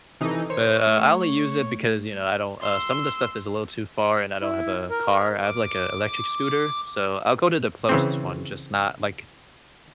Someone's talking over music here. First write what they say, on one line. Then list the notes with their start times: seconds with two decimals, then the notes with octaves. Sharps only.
but, uh, I only use it because, you know, I don't uh, some of the stuff is a little too far and I don't have a car, I have like a electric scooter, so, I'll go to the closest one, just not like
0.21 C3 E3 D#4 A4
0.50 A#4 C5 C#5
0.87 A3
2.61 C6 E6
4.42 E4
4.90 A#4
5.44 D6
7.89 C#3 E3 C4